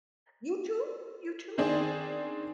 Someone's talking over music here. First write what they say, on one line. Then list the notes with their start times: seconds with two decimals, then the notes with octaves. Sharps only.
You too? You too?
1.58 D#3 C4 D4 G#4